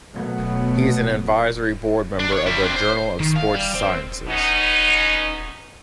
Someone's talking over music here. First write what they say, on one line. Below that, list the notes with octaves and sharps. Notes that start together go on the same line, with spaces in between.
He is an advisory board member of the "Journal of Sports Sciences".
B2 F#3 A3 B3
D4
C#5
G3 E4
C4 D4
C5
D#3
F5
G3
C4
B3 C#4 D#4